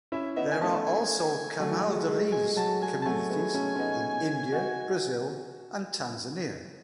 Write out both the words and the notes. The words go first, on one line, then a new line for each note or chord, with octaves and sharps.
There are also Camaldolese communities in India, Brazil, and Tanzania.
C#4 E4 E5
B3 D#4 E5
G#5
A3 C#4 A5
G#5
F#3 A3
A3
G#3
G#3
G#3 G#5
G#3
F#3 A5
G#3 G#5
A5
F#3 A3 G#5
G#3 B3
A3 C#4
C#4
B3 D#4
D#4 F#4